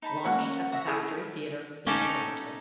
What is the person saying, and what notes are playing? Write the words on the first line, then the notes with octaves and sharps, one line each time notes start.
Launched at the Factory Theatre in Toronto.
D#4 A5 B5
A#3 C#4 F#4 F#5 C#6
E5 F#5 C#6 A#6
E4 G#4 A4
C#4 D#4 G4 A4